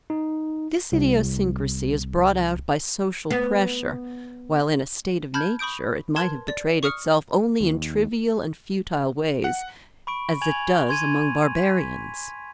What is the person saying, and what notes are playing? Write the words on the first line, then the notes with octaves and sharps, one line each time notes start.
This idiosyncrasy is brought out by social pressure, while in a state of nature it might have betrayed itself only in trivial and futile ways, as it does among barbarians.
D#4
C2
B3
A5 B5 F6 G6 G#6
B5 C#6 D#6 G6 D7
A#4 B4 A5 C6 G#6
D5
C#6 D#6 F6 C#7
D#2
F#5
B5 C#6 D7
G#5 C#6 G#6 F7 F#7
C6 G#6 D#7
B6